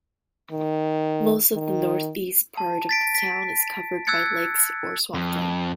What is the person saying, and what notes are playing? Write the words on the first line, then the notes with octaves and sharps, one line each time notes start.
Most of the northeast part of the town is covered by lakes or swampland.
D#3
D#3
A5
A6 B6 D7
B6
E6 F#6 G#6 A6 C#7
F2